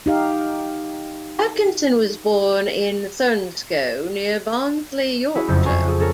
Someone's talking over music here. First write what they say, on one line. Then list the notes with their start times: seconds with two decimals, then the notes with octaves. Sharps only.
Atkinson was born in Thurnscoe, near Barnsley, Yorkshire.
0.06 D#4 G4 F5
5.35 C#4 E4 F#4 G#4
5.48 F#1 F2 G6
5.66 F5 G#5 C#6
5.87 F4 G#4 A4
5.99 C#4 A4 A#4 C#5